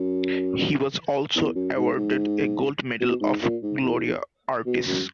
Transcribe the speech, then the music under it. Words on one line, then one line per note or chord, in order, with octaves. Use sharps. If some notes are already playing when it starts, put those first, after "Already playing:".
He was also awarded a Gold Medal of Gloria Artis.
Already playing: F#2
E2
F#2
G#2
G#2
B2
G#2
A#2
G#2
E2
B2
F#2